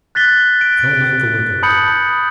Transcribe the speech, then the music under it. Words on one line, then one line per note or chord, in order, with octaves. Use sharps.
I don't like the look of it.
F#6 A6 B6 G7
D7
D7
A5 B5 D#6 G6 C#7 F#7